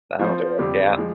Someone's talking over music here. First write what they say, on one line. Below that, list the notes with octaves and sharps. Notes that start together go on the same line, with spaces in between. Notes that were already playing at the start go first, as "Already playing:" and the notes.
That'll do it. Yeah.
F3 C4 F4 C5
F2 D3 G3 C4 G4
F3 G#3